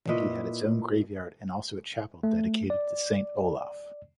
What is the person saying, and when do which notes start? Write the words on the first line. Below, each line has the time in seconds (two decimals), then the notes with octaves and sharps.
Pellinki has its own graveyard and also a chapel dedicated to Saint Olaf.
0.09 A#2 E4 B4 D#5
2.23 A3
2.70 D5